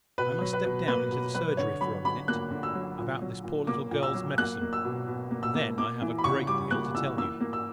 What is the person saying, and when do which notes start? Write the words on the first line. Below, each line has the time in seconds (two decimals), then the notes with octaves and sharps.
"I must step down into the surgery for a minute, about this poor little girl's medicine; and then I have a great deal to tell you."
0.18 B2 B4
0.41 F#3
0.53 B4
0.65 B2
0.88 A#3 B4
1.11 B2
1.34 F#3 B4
1.57 D3 C#5
1.81 F#3 B5
2.05 D3 B5
2.28 A#3 F#6
2.51 D3
2.63 E6
2.75 F#3
2.98 A#2
3.22 F#3
3.44 A#2
3.67 A#3 D6
3.91 A#2
4.03 E6
4.14 F#3
4.38 A#3 F#6
4.61 A#3
4.73 E6
4.84 B2
5.07 B2
5.31 A#3
5.43 E6
5.54 A#3
5.78 A#3 D6
6.01 E3
6.18 B5
6.24 C#3 C#6
6.47 G3 D6
6.71 A#3 F#6
6.94 E3 E6
7.17 A#3 E6
7.40 A#3
7.53 E6